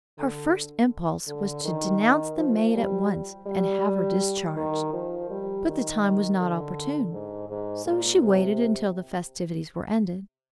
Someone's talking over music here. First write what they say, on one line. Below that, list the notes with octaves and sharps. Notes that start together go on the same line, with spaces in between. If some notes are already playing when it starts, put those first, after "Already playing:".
Her first impulse was to denounce the maid at once, and have her discharged; but the time was not opportune, so she waited until the festivities were ended.
D3
D3
D#3
F3
G3
G3
D#3
F3
G3
D#3
D3
G#2
G#2
A#2
C3